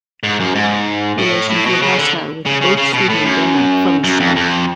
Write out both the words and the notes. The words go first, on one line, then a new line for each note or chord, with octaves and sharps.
Relations were hostile with both Sweden and Denmark from the start.
G#2
F#2
G#2
A2
A2
B2
C#3
D3
C#3
C#3
C#3
B2
A2
F#2
F#2
F2
F2